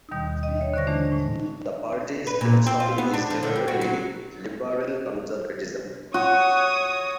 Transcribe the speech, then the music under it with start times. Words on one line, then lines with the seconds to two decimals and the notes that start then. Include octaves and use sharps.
The party's philosophy is generally liberal conservatism.
0.11 D#2 B2 D#3 G3 D#6
0.43 D#5
0.58 C#5 E5
0.74 D3 C5 D5 C#6 A#6
0.87 E3 G#3 A3 D4
1.11 A2 A#6
2.27 B4
2.41 A#2
2.66 C4
2.80 F4
2.98 B3
3.14 D4
3.30 F3
3.43 D3
3.56 G3
3.68 F#4
3.82 F#3
6.14 F#4 C#5 D#6